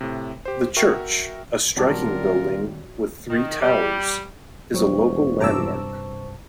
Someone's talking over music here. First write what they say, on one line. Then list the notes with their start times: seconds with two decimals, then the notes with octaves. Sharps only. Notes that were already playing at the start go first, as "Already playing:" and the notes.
The church, a striking building with three towers, is a local landmark.
0.01 A2 C3
0.45 G4 C5
0.76 F#4 A#4 E5 G5 C#6
1.77 D#1 D#2 F#3 G3 C4 D4 F4 A#4
3.30 D#3
3.61 G3
4.74 E1 F#3 G3 C5 C#6
5.40 G2 C3 A5 A#5 D6 E6